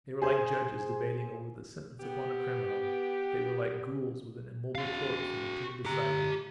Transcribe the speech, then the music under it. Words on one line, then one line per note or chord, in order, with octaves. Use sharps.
They were like judges debating over the sentence upon a criminal; they were like ghouls with an immobile corpse in a tomb beside them.
G#4 C5 G#5
B3 G4
F#4 F5
G4 A#5